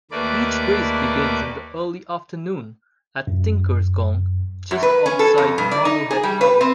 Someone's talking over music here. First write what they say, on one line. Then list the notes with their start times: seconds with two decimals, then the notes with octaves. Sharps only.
Each race begins in the early afternoon at "Tinkers Gong", just outside Marblehead Harbor.
0.11 D#2 A3 A#3 B4 D5 D6
3.27 F#2
4.71 F#2
4.83 B4
5.06 C#4
5.19 A4
5.38 F2
5.58 G2
5.71 D5
5.85 D#4
6.10 G#4
6.23 G3
6.41 B4
6.61 C4